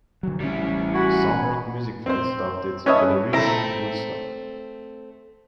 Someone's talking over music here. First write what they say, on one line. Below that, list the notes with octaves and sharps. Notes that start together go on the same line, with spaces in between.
Some rock music fans dubbed it Belarusian Woodstock.
D3 F#3
A1 G3 C#4 E4
F#4 F#5 G#5 B5
C4 C5
C#4 B4 C#5 D#5 E5 A5
A3 C4 E4 A#5